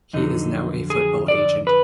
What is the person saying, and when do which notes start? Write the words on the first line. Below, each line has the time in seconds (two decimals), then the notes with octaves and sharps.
He is now a football agent.
0.13 F2 D3 F#3 D#4
0.90 G#4
1.28 D5
1.67 B4